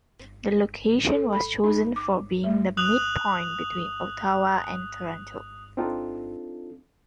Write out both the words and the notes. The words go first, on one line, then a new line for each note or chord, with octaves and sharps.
The location was chosen for being the midpoint between Ottawa and Toronto.
A4
B5
D#4
D6
A3
D#6 F#6 F7 F#7
C4 D4 D#4 F4 A4